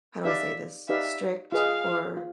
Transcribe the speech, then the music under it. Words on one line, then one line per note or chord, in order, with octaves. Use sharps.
how do I say this- strict or,
D#4 G4 B4 D5 E5 F5
D#4 G4 B4 D5 E5 F5
F4 G#4 B4 D#5 F5
F4